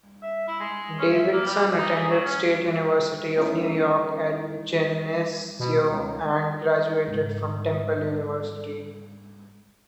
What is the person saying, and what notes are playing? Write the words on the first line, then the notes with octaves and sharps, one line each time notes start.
Davidson attended State University of New York at Geneseo and graduated from Temple University.
E5
E4
G#3
C#4
E5
A#3
G3
D#4
G#4
F#3
C#4
A3 C#4 D#4 E4 A#4
B2
C#2
G#2 C#3